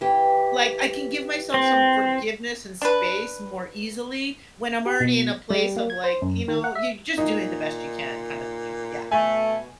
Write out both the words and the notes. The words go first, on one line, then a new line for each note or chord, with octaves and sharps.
like, I can give myself some forgiveness and space more easily when I'm already in a place of, like, you know, you're just doing the best you can kinda thing, yeah.
E3 G4
C4
D4 B4
G4
B2
G3
A#3
G#6
C5
F#2
D#3
F#5
E5
A#2 D#4
B2 A3 G#5